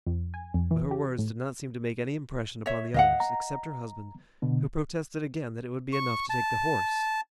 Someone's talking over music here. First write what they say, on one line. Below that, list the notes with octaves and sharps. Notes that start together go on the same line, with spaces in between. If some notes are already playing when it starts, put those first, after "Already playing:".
But her words did not seem to make any impression upon the others, except her husband, who protested again that it would be enough to take the horse.
F2
G#5
F2
E3
G4
A2
C#5 E5
D2 D#5 F5 F#5
A#5
B2 D3
C#6
A5